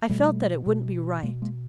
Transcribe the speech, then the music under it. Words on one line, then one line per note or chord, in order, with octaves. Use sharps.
I felt that it wouldn't be right.
B2 G3 A3
B2
B2 G#3 A#3
G#3 A#3